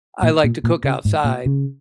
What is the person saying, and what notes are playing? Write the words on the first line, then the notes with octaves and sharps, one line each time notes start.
I like to cook outside
A#2
A#2
A#2
C#3
G#2
A#2
C#3